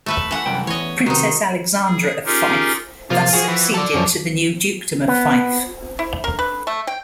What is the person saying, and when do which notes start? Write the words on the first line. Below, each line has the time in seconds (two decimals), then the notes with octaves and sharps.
Princess Alexandra of Fife thus succeeded to the new Dukedom of Fife.
0.06 A3 B4 E5
0.31 E3 F#5
0.46 C2 F#2 G5
0.67 E2 C#5 D#5
1.06 C3 D#3 D#4 F#4
1.86 G#4
2.25 C#4 D#4 F4 G4 G#4 A#4
3.11 C3 F3 A#3 F4
3.33 F3 F#4 G#4 F5
3.48 E3
3.74 A4 D5
3.94 F#2 F3 C#5
5.08 B3
5.99 E4
6.24 A#4
6.39 B4
6.67 A3
6.87 G5